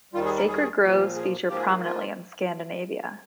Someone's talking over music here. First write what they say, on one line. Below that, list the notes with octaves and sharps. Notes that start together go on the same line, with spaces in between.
Sacred groves feature prominently in Scandinavia.
D#2 D#3 G3 F4
G#4
A#4
G#4
A#2 F3 A#3
G#4
G#2 F3 A#3 G4
G#4
G4
F4